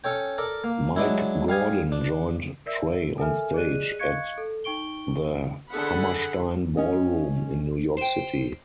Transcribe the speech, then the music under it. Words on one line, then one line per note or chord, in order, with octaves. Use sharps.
Mike Gordon joined Trey onstage at the Hammerstein Ballroom in New York City.
C#4 A4 C#5 G5
A4 A#4 D5
A#3
F#3 G#3 D4 E4
G3 F5 G#5 D#6
D4
A#4 D5 E5 E6
A4 A#4 E5 G#5 F6
G#4 D5 D#5 F#6 D#7
D#5 F5 C#6 F#6 G#6 C#7
A4
D#4 G5 C#6 D7 G7
D3 G#4 A4 F#5 B5
C#4 D#5
C5 G5